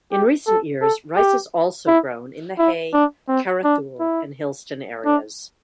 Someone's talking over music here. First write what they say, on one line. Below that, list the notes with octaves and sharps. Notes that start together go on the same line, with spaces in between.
In recent years, rice is also grown in the Hay, Carrathool and Hillston areas.
G4
A4
A4
G4
E4
E4
D4
C4
D4
E4
D4